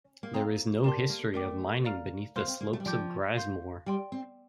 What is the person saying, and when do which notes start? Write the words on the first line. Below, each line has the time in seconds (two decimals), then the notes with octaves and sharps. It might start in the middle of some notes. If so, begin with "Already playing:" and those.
There is no history of mining beneath the slopes of Grasmoor.
0.23 A#3
0.34 C4 A4 C5 F5 A#5 D#6
0.84 C4 G4 A#4 D5 A5 C6
1.10 A#3
1.34 A3 A#4 D5 G5 D6
1.85 D5 F5 A#5 F6
2.36 A#3 C5 F5 C6 F6
2.48 C4
2.61 A#3
2.73 A3
2.80 G3
2.86 F3 D5 G5 D6 G6
3.36 F5 C6 G6
3.86 G3 D5 G5 C6
4.12 C4